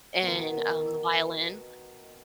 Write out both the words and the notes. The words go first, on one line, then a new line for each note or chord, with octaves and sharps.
and, um, the violin.
B2 D#3